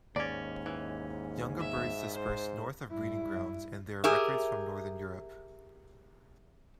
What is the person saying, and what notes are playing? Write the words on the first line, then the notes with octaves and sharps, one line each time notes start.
Younger birds disperse north of breeding grounds and there are records from Northern Europe.
D#2 G#2 C#4 D5
E3
E5
C5
G2 E4
G4 G#4 A#4 E5